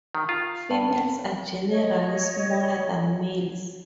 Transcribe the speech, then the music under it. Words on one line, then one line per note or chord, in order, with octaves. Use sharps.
Females are generally smaller than males.
D#3
F4
G2
C#5 D#5